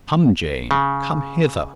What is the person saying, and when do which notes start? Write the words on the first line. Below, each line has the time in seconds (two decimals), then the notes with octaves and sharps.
"Come, Jane--come hither."
0.71 C#3